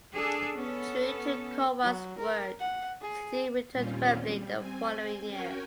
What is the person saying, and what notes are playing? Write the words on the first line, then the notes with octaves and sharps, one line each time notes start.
True to Cowan's word, City returned to Wembley the following year.
D4 G#4 A4
B3 C#4 A4
F#3
A#4
F#5
G#4
D#2 A#2 G3 C4 C#4 F4
G3
C4 G#5
C#4 F#4 A#4 G5 G#5